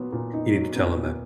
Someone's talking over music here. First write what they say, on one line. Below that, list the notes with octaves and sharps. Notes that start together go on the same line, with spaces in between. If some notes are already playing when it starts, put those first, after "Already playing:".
You need to tell him that
Already playing: A#2 F#3 B3
A#2
D#4
F#3
B3
A#2